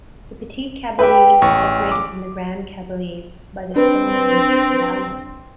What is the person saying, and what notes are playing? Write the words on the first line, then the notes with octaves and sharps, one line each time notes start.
The Petite Kabylie is separated from the Grande Kabylie by the Soummam Valley.
G4 B4 E5 G5 B5
A1 C#6
D6
C4 D4 B4